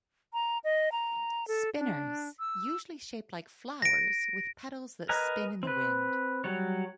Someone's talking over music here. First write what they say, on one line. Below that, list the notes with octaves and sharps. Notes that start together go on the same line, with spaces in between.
Spinners: Usually shaped like flowers with petals that spin in the wind.
A#5
D#5
A#5
A4
D4
E6
A#6 D7
A#4 B4 D#5 G#5 A#5
C4 B4
F#3 G3 C#5